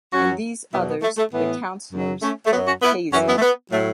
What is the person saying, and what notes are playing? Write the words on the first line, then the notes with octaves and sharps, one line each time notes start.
And these others — the Councillors, Paisley.
F#2 F#3 C#4 F#4
E2 B2 F#3 B3 E4
B3
A3
A3
A2 E3 B3
F#2 C#3 F#3
A3 C#4
A3
F#2 F#3 B3
C#4 F#4
B3 E4
F#2 E3 C#4 F#4
B3 E4
A3
B3
A2 F#3 A3